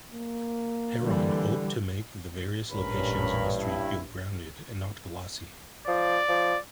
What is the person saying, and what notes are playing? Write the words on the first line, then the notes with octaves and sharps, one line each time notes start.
Herron hoped to make the various locations in history feel grounded and not "glossy".
A#3
D3 E3 G3
A1 G2 A#2 C#4 A#4 B5
E4
F3 D5
F3